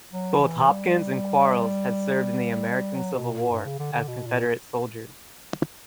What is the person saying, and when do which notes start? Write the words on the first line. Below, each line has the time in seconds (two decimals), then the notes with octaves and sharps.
Both Hopkins and Quarles had served in the American Civil War as Confederate soldiers.
0.13 F#3
0.41 E3
0.68 G3
2.95 F#3
3.13 B2
3.33 A#2
3.51 G2
3.65 C#3
3.79 D3
3.93 D3
4.08 B2
4.26 A#2